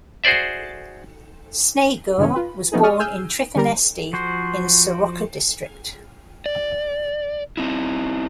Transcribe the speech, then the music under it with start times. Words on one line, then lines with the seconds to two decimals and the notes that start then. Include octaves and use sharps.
Snegur was born in Trifanesti, in Soroca District.
0.24 F#4 G#4 C5 D5 E5
2.18 G2 C#3 E3 C#4
2.35 F4 B4
2.72 C3 F3 A3 B3 D#4 G#4
2.83 G4 D5 C#6 D#6 F6
3.00 G#4 G#5 E6 F6 G6
3.56 D3 G3 G4 A#4
4.13 F3 F#4 C5
6.46 D5
7.57 C4 D#4 E4